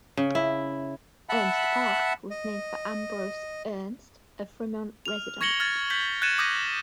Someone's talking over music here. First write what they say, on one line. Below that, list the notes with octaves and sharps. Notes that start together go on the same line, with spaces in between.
Ernst Park was named for Ambrose Ernst, a Fremont resident.
C#3
E4
E5 F#5 A5 B5
D#5
F6 F7
C#6 G#6 A#6 C#7 F#7 G7
F6 G#6 A6
G6 B6 F#7
F#6 G#6 A6 C#7 D#7 E7
D6 D#6 G6 A#6 D#7